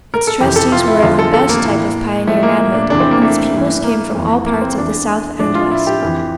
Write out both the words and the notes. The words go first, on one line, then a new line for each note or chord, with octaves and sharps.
Its trustees were of the best type of pioneer manhood, and its pupils came from all parts of the South and West.
A#4
A4
F2 C3 E3 G4
A4
F4
E4
E2 D3 F3 F4
A4
A4
A#3
A2
E3
A2 F3 A3
A#3
A#3
D4
E2 C3 E3 D4
C4
A#3
A3
G2 E3
A#3
F2 E3
A#3
C4
E2 E3 D4
A2 F3 D4
F4
E4
G4
F2 E3